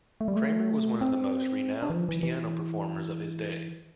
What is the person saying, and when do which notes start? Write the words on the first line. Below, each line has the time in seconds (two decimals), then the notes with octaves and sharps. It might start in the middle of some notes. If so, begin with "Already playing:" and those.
Cramer was one of the most renowned piano performers of his day.
0.21 A3
0.28 G3
0.36 A3
1.01 C4
1.83 D4
1.90 E3
1.96 F3
2.09 E3
2.23 E3